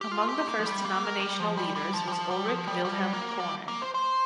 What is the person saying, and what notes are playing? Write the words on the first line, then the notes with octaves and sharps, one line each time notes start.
Among the first denominational leaders was Ulrik Vilhelm Koren.
G4
F4
G4
A#3
F3
G3
A#3
A#4
G3
F3
G3
G3
F3
G3
F3
G3
F3
G3
G3
A#3
G3
A#3
C5
C5